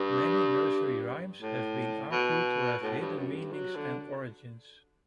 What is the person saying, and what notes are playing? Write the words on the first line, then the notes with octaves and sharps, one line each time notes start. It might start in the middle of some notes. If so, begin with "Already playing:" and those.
Many nursery rhymes have been argued to have hidden meanings and origins.
Already playing: G2
A2
B2
A2
G2
F#2
G2
F#3
D3